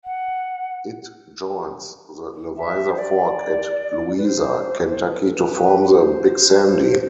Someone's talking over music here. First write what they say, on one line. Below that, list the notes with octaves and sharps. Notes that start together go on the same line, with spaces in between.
It joins the Levisa Fork at Louisa, Kentucky to form the Big Sandy.
F#5
E5
C5
D5
B4
C5
B4
A4
B4
C5